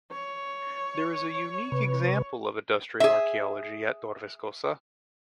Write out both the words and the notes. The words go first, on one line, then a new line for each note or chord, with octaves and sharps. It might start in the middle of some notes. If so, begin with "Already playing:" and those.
There is a unique example of industrial archaeology at Torviscosa.
C#5
C3 B4
G#4 E5